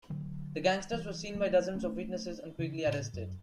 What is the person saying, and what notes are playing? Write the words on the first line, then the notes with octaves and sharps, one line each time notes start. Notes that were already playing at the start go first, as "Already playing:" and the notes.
The gangsters were seen by dozens of witnesses and quickly arrested.
D3 F#3
E3 G3
F#3 A3
A3 C#4
C#3 E3
A2 C#3
F#2